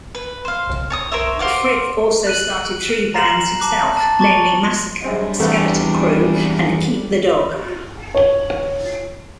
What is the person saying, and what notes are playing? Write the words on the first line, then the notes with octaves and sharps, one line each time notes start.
Frith also started three bands himself, namely Massacre, Skeleton Crew, and Keep the Dog.
B4
C5 F5
C#5 A5 D#6
A#4 C5 C#5 E5
C5 F5 F#5 D6
F#6 D#7 F#7
A#5 A#6 C7 E7 F#7
A5 D6 F#6
A5 A6
A5 C#6 D6 A6
F#2 G3 G#3 C4 D4
E2 A3 B3 C4
C#5